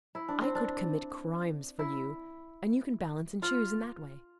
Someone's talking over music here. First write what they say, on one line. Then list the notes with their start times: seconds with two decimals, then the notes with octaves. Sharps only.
I could commit crimes for you,--and you can balance and choose in that way.
0.15 E4
0.29 D4
0.41 C4
0.55 D4
1.79 E4
3.42 F4